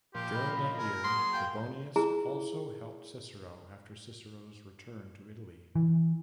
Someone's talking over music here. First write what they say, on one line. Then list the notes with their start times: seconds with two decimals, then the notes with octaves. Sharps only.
During that year, Trebonius also helped Cicero after Cicero's return to Italy.
0.15 A#2 F3 G4 C6
0.34 D#5 B5
0.78 G#4 A#4
1.04 F#3 A#3 G#4 C6 D#6
1.33 F5 G5
1.96 E4 F4 G#4 A#5
5.76 E3